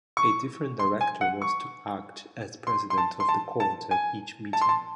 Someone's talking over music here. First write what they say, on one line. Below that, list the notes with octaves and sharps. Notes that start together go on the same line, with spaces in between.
A different director was to act as president of the Court at each meeting.
C#6
C6
G#5
F#5
C#6
C6
C6
A5
C6
A5
A5
G#5
A5
C6
A5